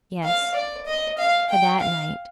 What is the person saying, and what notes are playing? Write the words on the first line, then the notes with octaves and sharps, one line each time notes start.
Yes, for that night.
F5
D5
D#5
F5
G5
F5